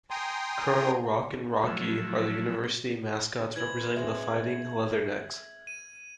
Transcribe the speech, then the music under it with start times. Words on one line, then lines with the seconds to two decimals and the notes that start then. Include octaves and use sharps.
Colonel Rock and Rocky, are the University mascots representing "The Fighting Leathernecks".
0.10 G5 G#5 A#5 C6 D#6
1.67 F3 F#3 A3 E4
3.56 E3 B4 C5 G#6 F#7
3.96 G#3 C4 E5
5.67 D#7